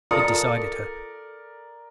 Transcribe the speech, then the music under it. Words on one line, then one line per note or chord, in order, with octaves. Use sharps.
It decided her.
F4 A4 A#4 D5 A5 A#5 D#6 C#7